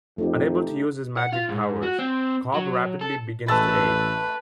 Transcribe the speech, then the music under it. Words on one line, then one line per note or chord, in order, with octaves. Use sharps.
Unable to use his magic powers, Cob rapidly begins to age.
F2 A3 D#4 G4
F#5
F4
G#2
F#4
C4
F#3
A4
A1 G#3 A3 B4 A5 E6 A6